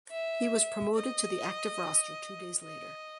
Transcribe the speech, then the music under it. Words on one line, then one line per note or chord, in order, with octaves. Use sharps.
He was promoted to the active roster two days later.
E5
D#5
D#5